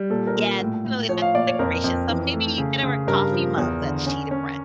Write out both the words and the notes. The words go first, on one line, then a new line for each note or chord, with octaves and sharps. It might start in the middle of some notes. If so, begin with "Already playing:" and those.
Yeah, definitely not the decoration. So, maybe you get her a coffee mug that's cheetah print.
Already playing: G3
A#2 A4
A#4
A#2
A2
A2
F3 C#5
F5
A#2 D5
C#5
F2 A#4
F2
E3
A3
C#3
C#3
G2 A#4
F3
E2
D3
C#4
C#4